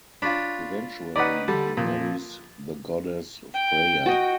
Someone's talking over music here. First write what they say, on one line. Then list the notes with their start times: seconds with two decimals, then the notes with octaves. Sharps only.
Eventually, he marries the goddess Freya.
0.22 D4 F4 C#5 B5
1.16 C#4 D#4 B4 D5 F#5
1.48 D3 G3 A5
1.77 A#2 F3
3.52 G5
4.06 F#4 D#5